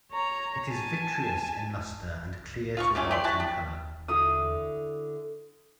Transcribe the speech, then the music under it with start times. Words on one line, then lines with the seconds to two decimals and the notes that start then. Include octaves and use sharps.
It is vitreous in luster and clear to white in color.
0.12 C#5 A#5
0.69 G#5 A5
2.77 F4 F5 C#6
2.95 A3 C#4 F4 G4
3.11 G4 D5 C6
3.24 E4 F#4 A5
3.40 G4
4.08 D3 E4 F#4 D#6